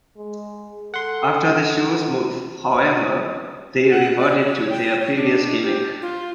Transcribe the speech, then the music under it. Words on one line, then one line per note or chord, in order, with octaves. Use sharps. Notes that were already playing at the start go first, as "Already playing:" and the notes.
After the show's move, however, they reverted to their previous gimmick.
G#3
A4 F#5 C6
B3
F#5
D5
C#5
G5
C#5
D4
G4
F4